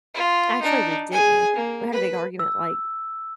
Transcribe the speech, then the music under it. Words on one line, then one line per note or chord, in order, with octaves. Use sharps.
Actually, we didn't. We had a big argument, like,
F4
D4 D#4
G#4 G#5
A#3
B4
E6